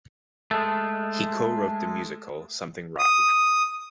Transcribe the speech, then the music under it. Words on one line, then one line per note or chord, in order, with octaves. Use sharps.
He co-wrote the musical Something Rotten!
G#3 A3
D#6